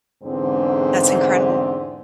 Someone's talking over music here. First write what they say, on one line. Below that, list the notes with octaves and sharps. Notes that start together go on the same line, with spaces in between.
That's incredible.
E2 G#2 D3 C4